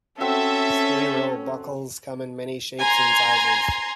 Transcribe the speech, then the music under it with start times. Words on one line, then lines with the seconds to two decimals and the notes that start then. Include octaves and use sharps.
Scleral buckles come in many shapes and sizes.
0.20 C4 C#4 F#4 A4 E5
2.81 G#5 A#5 C6